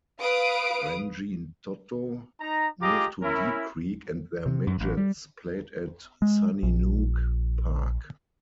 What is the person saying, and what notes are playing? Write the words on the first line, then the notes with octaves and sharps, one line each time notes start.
Rangitoto moved to Deep Creek and their midgets played at Sunnynook Park.
B4 F5 D#6 D7
D#4 A#5
F4 G4 G#4 D#5 A#5 D6
C#4 E4 A#4
C3
F#2
A1
G3
G#3
A#1